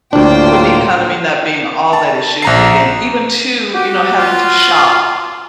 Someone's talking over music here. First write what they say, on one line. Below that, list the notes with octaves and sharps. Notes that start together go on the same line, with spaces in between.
with the economy not being all that it should be, and even too, you know, having to shop,
D2 A2 A#3 D4 F4 C5 G5
A5
A#1 A#5 C7
F#4 G4
F4